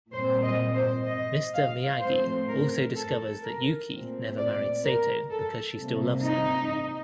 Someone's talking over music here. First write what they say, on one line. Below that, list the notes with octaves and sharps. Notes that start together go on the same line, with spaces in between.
Mister Miyagi also discovers that Yukie never married Sato because she still loves him.
A#2 G3 C4 C5
D#5
C5
D#5
F5
A2 F3 A3 C4 C5
A#4
A4
A#4
A#2 A3 C4
D5
A#4
A4
C3 G3 A#3
D#4